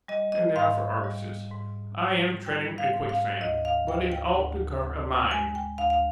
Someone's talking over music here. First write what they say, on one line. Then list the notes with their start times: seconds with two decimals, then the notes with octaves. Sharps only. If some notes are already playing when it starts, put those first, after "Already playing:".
And now for Arbaces--I am treading a quicksand, but it ought to cover a mine.
0.08 G3 D#5
0.32 D#5
0.56 G#2 F5
1.04 G3
1.51 G#2
1.98 G3
2.46 G3 G5
2.78 F5
2.93 G#2
3.09 F5
3.41 D2 D#5
3.65 F5
3.88 D2 G5
4.12 G5
4.36 D2
4.84 D2
5.31 G#3 G#5
5.55 G5
5.78 D2 F5
5.90 F5